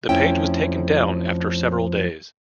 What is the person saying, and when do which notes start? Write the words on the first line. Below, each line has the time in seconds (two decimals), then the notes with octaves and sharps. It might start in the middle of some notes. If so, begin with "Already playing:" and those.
The page was taken down after several days.
0.09 F2 F3 A3 C#4 E4 G5